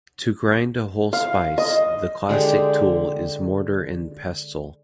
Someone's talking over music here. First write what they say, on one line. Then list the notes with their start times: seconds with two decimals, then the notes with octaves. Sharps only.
To grind a whole spice, the classic tool is mortar and pestle.
1.13 F5
1.58 D#5
2.29 D3 G#3 G4